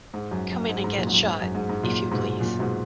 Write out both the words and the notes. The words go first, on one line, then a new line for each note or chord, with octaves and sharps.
Come in and get shot, if you please.
G#2
F#2
F#2
G#2
G#2
F#2 A#2
G#2
F#2
G#2
F#2
G#2
G#2
F#2 A#2
G#2 B2
F#2 A#2
G#2 B2